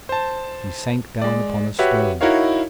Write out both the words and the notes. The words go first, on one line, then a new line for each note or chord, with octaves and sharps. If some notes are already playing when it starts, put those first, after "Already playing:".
He sank down upon a stone.
C5 A5
G#3 D5
F#4 G4 B4 C#5 E5 F#5
D#4 E4 F#4 A#4 C#5 F5